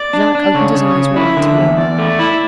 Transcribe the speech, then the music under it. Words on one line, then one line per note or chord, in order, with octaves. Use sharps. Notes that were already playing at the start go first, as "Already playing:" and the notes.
Jacques opened his eyes wide to look.
Already playing: D5
D4
D4
C#3 C#5
C#3
C#5
C#3
E4 E5
D3
E2
E2 D5
A3
E4